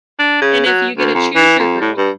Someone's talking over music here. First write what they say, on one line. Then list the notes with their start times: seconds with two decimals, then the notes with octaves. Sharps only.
and if you get to choose your group,
0.19 D4
0.42 C#3
0.66 F#3
0.98 D2
1.15 F2
1.35 E3
1.59 F2
1.81 A2
1.97 G2